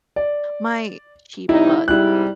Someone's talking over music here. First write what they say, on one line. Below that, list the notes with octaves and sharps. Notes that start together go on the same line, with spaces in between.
my cheap butt
D5
C3 G3 D#4 E4
G#2 C3 G3 E4 F#6